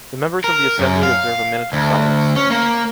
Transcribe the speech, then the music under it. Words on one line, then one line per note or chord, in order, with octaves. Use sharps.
The members of the Assembly observe a minute of silence.
A#4
F#2
F5
D2
C#4
A#3